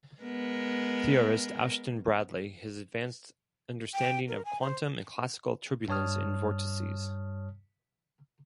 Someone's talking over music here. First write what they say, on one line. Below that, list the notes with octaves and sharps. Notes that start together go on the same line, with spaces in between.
Theorist Ashton Bradley has advanced understanding of quantum and classical turbulence and vortices.
G#3 B3 A#4
G5
A#4
G#5
C5
G2 G3 C#5 A5 D#6 F6